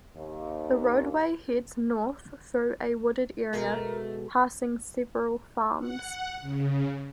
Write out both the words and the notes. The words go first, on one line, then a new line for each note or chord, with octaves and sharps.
The roadway heads north through a wooded area, passing several farms.
D#2
B2 G#3 A3 A#4
F#5
C#3